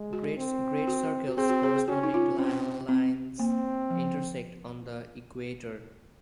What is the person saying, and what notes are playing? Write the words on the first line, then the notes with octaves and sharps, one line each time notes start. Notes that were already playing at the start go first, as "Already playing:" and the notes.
Great circles corresponding to parallel lines intersect on the equator.
Already playing: G#3
F#4
C4
F#4
F#4
C4 G#4
F#4
G#4
G#4
C#4 F#4
D#4
F4
C4 C#4
C4
A#3 C4
F3